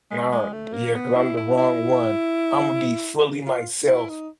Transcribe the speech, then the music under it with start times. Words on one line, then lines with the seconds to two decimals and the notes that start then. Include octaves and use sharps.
Naw, yeah, 'cause I'm the wrong one. Imma be fully myself.
0.11 G#3
0.32 G#3
0.53 A3
0.73 A#3
0.95 B3
1.16 E4
1.37 E4
1.57 E4
3.47 F4
3.88 E4
4.09 D#4